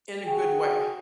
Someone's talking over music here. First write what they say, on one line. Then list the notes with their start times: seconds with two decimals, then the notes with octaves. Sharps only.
in a good way,
0.25 F#4 G#4 G5